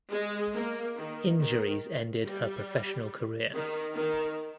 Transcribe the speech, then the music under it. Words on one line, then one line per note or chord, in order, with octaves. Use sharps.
Injuries ended her professional career.
G#3
A#3
D#3
D#3
G3
D#3
D#3